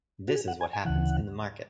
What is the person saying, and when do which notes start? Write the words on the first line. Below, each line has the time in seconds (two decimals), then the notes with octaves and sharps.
This is what happens in the market.
0.28 F#4
0.36 G#4
0.48 F#5
0.61 G#5
0.73 G#5
0.85 D2 C#3 E3 F#5